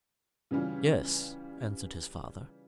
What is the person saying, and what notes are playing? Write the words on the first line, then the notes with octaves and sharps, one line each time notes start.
"Yes," answered his father.
C#3 E3 G3 C#4 F4